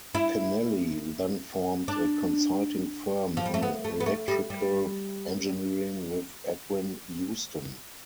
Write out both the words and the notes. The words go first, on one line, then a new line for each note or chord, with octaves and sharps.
Kennelly then formed a consulting firm in electrical engineering with Edwin Houston.
E4
D4
F3
G3
A3
B3
A3
B3
A3
G3
G3